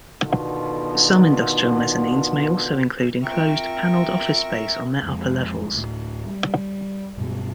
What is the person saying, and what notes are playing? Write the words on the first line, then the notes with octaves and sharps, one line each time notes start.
Some industrial mezzanines may also include enclosed, paneled office space on their upper levels.
B2 D3 D#3 B3 F4 A4
C4 F4 A#4 E5 G5 C#6
F2 G#3 C4
D2 A2
G3
G2 B2 F#3